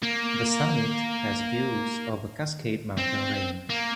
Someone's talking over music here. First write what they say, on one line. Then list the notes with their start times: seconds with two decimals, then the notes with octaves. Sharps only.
The summit has views of the Cascade Mountain Range.
0.03 A#3
2.97 C4
3.69 A#3